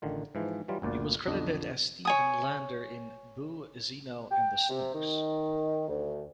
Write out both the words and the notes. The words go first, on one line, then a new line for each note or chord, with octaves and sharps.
He was credited as Stephen Lander in "Boo, Zino and the Snurks".
A1 D3 D#3 F4
G#2 E3 F3
E3 F#3 G3 F4
G1 D2 A#2 D5
B1 F2 D3 D4 D#5
C#5 G#5 D#6
G5
C3
D#3
D2